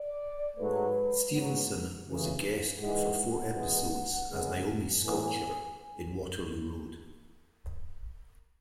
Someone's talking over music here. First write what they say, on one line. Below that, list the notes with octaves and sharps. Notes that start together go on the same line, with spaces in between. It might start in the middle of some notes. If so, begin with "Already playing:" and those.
Stephenson was a guest for four episodes as Naomi Scotcher in "Waterloo Road".
Already playing: D5
G#2 F#3 A3 B4
G#2 F#3 B3
D2 C#3 E3
G#2 E3 G#3 F#5
F#2 E3 G#3 B3
D2 C#3 G#3 B3
A2 E3 B3 G#5